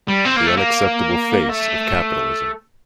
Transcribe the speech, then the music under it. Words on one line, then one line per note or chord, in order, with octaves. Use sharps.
The unacceptable face of capitalism.
G3
C4
A#3
A3
A#3
A3